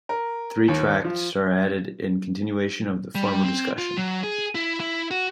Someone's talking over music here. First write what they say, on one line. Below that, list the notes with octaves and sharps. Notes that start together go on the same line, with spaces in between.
Three tracts are added in continuation of the former discussion.
A#4
D#2
F3
G3
C4
F4
F#3
G#4
E4
E4
F#4